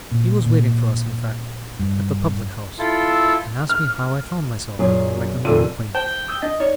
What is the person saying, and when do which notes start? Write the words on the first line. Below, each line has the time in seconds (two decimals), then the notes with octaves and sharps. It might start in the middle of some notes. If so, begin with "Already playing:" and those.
He was waiting for us, in fact, at the public-house; and asked me how I found myself, like an old acquaintance.
0.11 A#2
0.46 A#2
1.79 G2
2.79 E4 F4 A4
3.69 F6
4.79 F#2 A#2 C#4 G#4
5.45 F1 A#2 A4 D#7
5.95 C5 G5 A5
6.28 D#6 E6 G6
6.42 D4 D#5 A6
6.60 D#4 C#5 D5